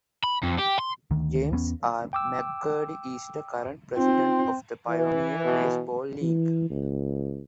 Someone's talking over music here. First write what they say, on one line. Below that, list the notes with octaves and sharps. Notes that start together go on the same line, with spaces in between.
James R. McCurdy is the current president of the Pioneer Baseball League.
B5
F2
G4
C6
D2 D#3
E2 B3 C#4
G5 D6 E6
C4 D#4 F4
E3
B2
E3
C#2